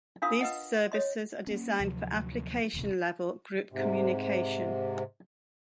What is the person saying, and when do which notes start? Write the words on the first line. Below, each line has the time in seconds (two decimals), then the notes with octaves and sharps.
These services are designed for application-level group communication.
0.22 D4 F4 A#4 F5 C6 D#6
0.41 B4 D#5 F#5
0.92 C#5 D#5 C6
1.47 A#3 C#4
1.80 D2 C3 F3 F#3
2.74 D#1 A1 D2 C3
3.72 G#2 C3